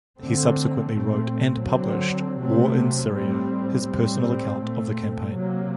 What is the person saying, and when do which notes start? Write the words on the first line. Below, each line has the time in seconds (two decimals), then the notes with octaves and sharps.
He subsequently wrote and published "War in Syria", his personal account of the campaign.
0.19 D3 A3 C4
0.92 A#2 A3 C4
1.66 D3 F#3 C4
2.39 C3 F#3 A3 C4
3.14 A2 G3 C4
3.86 A2 G3 C4
4.60 A#2 A3 C4
5.33 C3 F#3 A#3